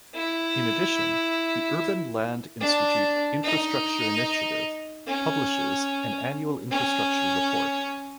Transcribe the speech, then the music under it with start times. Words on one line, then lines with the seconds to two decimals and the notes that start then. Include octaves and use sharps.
In addition, the Urban Land Institute Infrastructure Initiative publishes an annual infrastructure report.
0.15 E4
2.61 D4
3.44 D#4
5.07 C#4
6.71 C#4